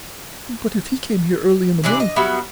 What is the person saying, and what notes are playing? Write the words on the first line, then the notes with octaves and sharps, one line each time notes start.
But if he came here early in the morning.
C3 E3 D4 D5
D#5
F#3 G3 B3 E5